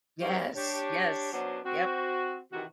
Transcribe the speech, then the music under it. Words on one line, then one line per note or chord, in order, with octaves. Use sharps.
Yes, yes, yep.
C3 D#3 F#3 C#4 G4 C5
D4 G4 C#5
F#3 B3 C#4 D4 F#4 C5
C4 F#4
C3 D#3 E3 C4 F#4